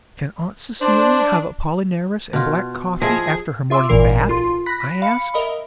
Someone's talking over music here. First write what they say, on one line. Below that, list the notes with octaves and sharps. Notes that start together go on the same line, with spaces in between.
'Can Aunt Celia have Apollinaris and black coffee after her morning bath?' I asked.
D4 C5
B2 F4
F3 E4 G#4 D#5
F4 E5 C6 D6 E6
G#1 A#2 E3 A#4 C7
B1 F4 C6
B5 F#6 A#6 B6
F5 B5 C#7
A#4 D#5 E5 B5